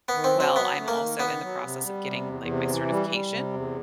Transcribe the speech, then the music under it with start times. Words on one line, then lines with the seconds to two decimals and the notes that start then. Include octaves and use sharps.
well. I'm, also, in the process of getting, like, my certification
0.08 B3
0.14 D#3
0.24 C4
0.34 F#3
0.40 C4
0.55 F#3 B3
0.78 A3
0.88 A#3
0.99 D#3
1.19 D#3 B3
1.41 F#3
1.62 C3
1.83 G3
2.05 C3
2.26 E2
2.46 C3
2.69 E3
2.90 G3
3.10 G3
3.32 C3
3.53 E2